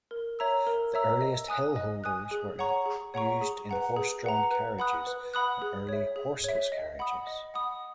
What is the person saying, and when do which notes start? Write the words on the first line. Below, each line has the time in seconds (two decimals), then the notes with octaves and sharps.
The earliest hill holders were used in horse-drawn carriages and early horseless carriages.
0.11 A#4
0.39 C#5 E5 A#5 E6
0.67 A#4
0.94 C#5 E5 A#5 E6
1.21 D#5
1.48 G#5 D#6 F#6
1.76 D#5
2.04 G#5 D#6 F#6
2.31 G#4
2.59 C#5 F#5 A#5 C#6
2.86 G#4
3.14 C#5 F#5 A#5 C#6
3.41 G#4
3.69 B4 F#5 A#5
3.96 G#4
4.24 B4 F#5 A#5
4.51 B4
4.79 F#5 B5 D#6 F#6
5.07 B4
5.34 F#5 B5 D#6 F#6
5.62 G#4
5.89 C#5 E5
6.16 G#4
6.44 C#5 E5
6.72 D#5
6.99 F#5 B5 D#6
7.27 D#5
7.54 F#5 B5 D#6